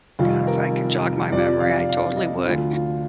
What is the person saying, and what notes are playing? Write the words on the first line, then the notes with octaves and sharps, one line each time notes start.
god, if I could jog my memory, I totally would.
F1 F2 D#3 G3 F4
A#4
F2 C3 F3 D5
F5
F5
D#5
D2 D3 F3 F4
F4